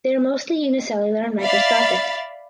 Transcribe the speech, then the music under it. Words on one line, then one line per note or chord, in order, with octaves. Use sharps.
They are mostly unicellular and microscopic.
D5 E5 F5 B5 A6